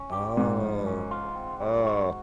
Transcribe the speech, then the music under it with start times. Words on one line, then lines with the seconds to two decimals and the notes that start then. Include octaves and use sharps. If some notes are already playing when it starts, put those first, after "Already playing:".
Oh, oh.
Already playing: C#4
0.12 G4
0.37 G#2 G#3
0.61 F3
0.87 C#4
1.11 F4
1.35 C4
1.60 G3
1.86 F#4